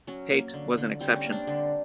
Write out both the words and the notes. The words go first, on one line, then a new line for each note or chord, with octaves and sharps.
Paete was an exception.
F#3 C#4
A#3
D3
D3
G3 C4
C#4
A#3
C4 D4
D3